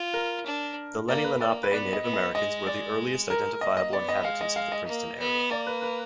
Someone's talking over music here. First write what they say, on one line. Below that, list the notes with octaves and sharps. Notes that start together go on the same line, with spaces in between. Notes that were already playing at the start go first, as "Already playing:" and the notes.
The Lenni Lenape Native Americans were the earliest identifiable inhabitants of the Princeton area.
Already playing: F4
A#4
D4
A#3 D5
B4
A#3 D5
B4
B3 D5
D#5
B3
D#5
G#3 D#5
D5
A#4
A#3 D#5
D#5
B3 D5
D#5
G#3 F5
D#5
F5
D#5
A#3
B3
A#3 D5
B4
B4